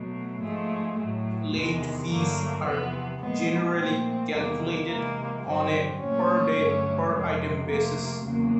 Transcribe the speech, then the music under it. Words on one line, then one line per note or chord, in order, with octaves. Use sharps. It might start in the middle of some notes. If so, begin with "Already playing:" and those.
Late fees are generally calculated on a per day, per item basis.
Already playing: B2 F#3 A3
G#2 F3 G#3 A3
A2 F#3 A3
E2 C3 D#3 G#3
G2 D3 F#3 A3 A#3
E2 C3 F3 B3
A#2 F3 G#3 B3
A#2 F3 A3 C4
E2 C3 D#3 G3 A#3
C3 E3 G#3 A#3
G2 D3 F#3 C4
A#2 F#3 A3 C#4
G2 D3 F#3 A3
F2 C3 F3 G#3
C3 F3 A3 A#3
E2 C#3 F#3 A#3